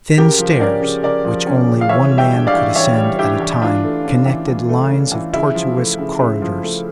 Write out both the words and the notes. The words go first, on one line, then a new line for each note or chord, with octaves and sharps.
Thin stairs, which only one man could ascend at a time, connected lines of tortuous corridors.
C#3 G4 A#4
F3
C#4 A#4 D5
C#3
C#3 A#4 D5
F3
C#4
C#3
F5
E3 C#5 E5
G3
E5 G5
D4
D5 F5
E3
E3 C#5 E5
G3
D4 E4 G4
E3
E3 D4 F4
A3
C#4
E3
E3
A3
C#4
E3
C#3 E4
F3
A3
C#3
C#3
F3
A3